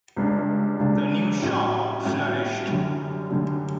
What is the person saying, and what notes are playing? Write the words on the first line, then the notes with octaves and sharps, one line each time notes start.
The new shop flourished.
C#2 C#3 G3 D4
C#2 C#3 G3 D4
A2 G3 C#4 F#4
A2 G3 C#4 F#4
F#2 D3 G3
F#2 D3 G3